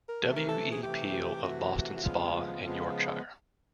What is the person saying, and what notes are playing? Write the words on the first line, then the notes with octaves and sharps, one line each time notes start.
W. E. Peel of Boston Spa in Yorkshire.
A#4
C3 E3 A3 A4
A#4
A4
G#4
C3 E3 A3 G4
C3 E3 A3 F#4
F#4
D2 C#3 F3 G#3 B3 F4
C#3 F3 G#3 B3 F4